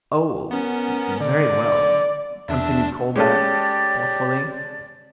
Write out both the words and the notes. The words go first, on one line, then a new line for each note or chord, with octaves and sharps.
"Oh! very well," continued Colbert, thoughtfully.
B3 C#4 A#4
D3 D5
E2 D4 E5 A5
G#3 C#4 G4 A4 D5